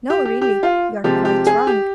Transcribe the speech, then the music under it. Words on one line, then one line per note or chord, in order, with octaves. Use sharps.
'No; really you are quite wrong.
G4
G4
G4
F4
C3 F3 G#3 G4
G4
G#4
G4